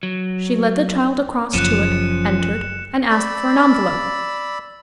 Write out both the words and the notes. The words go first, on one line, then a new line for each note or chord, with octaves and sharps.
She led the child across to it, entered, and asked for an envelope.
F#3
F#1 F#2 F3 C#4 F#6 C#7 E7
D5 B5 E6